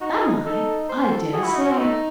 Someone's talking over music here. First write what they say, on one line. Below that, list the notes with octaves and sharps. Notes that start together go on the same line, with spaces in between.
'Am I? I dare say.
D#4 F#4
G#4
D#4 A4
C5
A4
F#4 G#4
E4
D#4
C#4
C4
A3 D#4